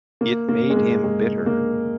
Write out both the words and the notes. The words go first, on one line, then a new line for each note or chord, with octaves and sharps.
It made him bitter.
A#3
A#3
G#3
A#3
G#3
A#3